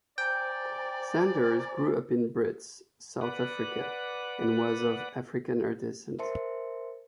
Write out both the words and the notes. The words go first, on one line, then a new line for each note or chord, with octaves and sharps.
Sanders grew up in Brits, South Africa, and was of Afrikaner descent.
C5 D5 G5 G#5 A#5
B4 D5 F#5
A#4 C5 E5 A5 C6 C#7